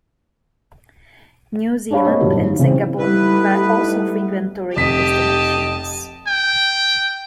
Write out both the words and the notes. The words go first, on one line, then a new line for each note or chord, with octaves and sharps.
New Zealand and Singapore were also frequent touring destinations.
D4 G4 C#5 F5 B5
A3 A#3 C4 C#5 D#5
F#2 A#2 D3 E3 F#3 G3
G#1
D#4
C#3 E3 C4
G3 A3 B3 D#4 E4 B4
F1 G4 D#5 A5 B6
G5